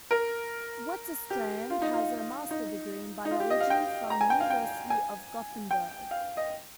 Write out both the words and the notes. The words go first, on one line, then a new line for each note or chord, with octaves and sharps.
Wetterstrand has a master's degree in biology from the University of Gothenburg.
A#4
G4
F4
D#4
F4
D#4
D#4
F4
G4
D#5
F5
G5
A#5
G#5
G5
F5
G5
G#5
G5
F5
D#5